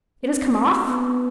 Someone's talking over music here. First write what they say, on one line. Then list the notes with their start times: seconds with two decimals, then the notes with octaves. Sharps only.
"It has come off?"
0.24 C4
0.86 B3